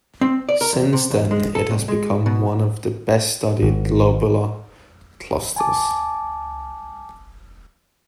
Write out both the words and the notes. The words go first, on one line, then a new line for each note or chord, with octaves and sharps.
Since then, it has become one of the best-studied globular clusters.
C4
D5
A#4
E2
C3
E2
G#3
A4
C2
G#3
B2
G#1
G#5 A5 D6